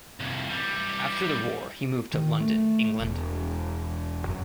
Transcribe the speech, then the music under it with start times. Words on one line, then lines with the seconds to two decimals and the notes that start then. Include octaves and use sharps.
After the war he moved to London, England.
0.20 C2 F2
0.50 E3 G3
2.13 D#3
2.40 A3
3.00 E1
4.28 F#2